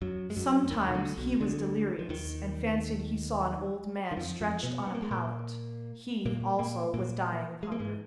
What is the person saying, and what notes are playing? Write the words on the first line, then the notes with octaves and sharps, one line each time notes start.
Sometimes he was delirious, and fancied he saw an old man stretched on a pallet; he, also, was dying of hunger.
F#2 F#3
G#3
F#2 F#3
D#2 D#3
B2
D2 D3
B1 B2
D2 D3
F3
D#2 D#3
D#3
F2 F3
F2 F3
B2 B3
B3
A#3
G#3
A#2 A#3
A#2 A#3
A#2 A#3
A#2 A#3
G#3
A#3
G#2 G#3